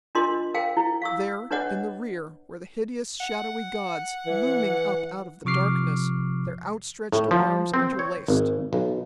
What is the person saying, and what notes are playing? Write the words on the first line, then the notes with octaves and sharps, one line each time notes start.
There, in the rear, were the hideous, shadowy gods, looming up out of the darkness, their outstretched arms interlaced.
D4 F4 A#4 D#5 C6
A#4 C5 F5 G5
E4
F5 C#6 E6
D4 B4 C#5 D#5 F#5
F#5
E3
C3 F3 C#6 D6 F6 C7
A2
F3
C4
C#5
G#1
B1